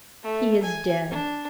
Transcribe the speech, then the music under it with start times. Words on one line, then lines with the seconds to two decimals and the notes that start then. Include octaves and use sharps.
He is dead.
0.23 A3
0.63 G#5
1.10 D4